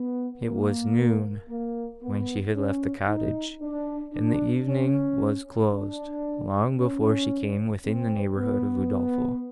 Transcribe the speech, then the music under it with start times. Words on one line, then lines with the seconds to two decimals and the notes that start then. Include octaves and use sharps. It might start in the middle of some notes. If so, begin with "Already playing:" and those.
It was noon, when she had left the cottage, and the evening was closed, long before she came within the neighbourhood of Udolpho.
Already playing: B3
0.44 A#3
1.49 A#3
2.02 B3
2.56 C#4
3.08 D#4
3.61 D4
4.14 D4
4.67 C#4
5.73 D4
6.78 C#4
7.85 C4
8.38 B3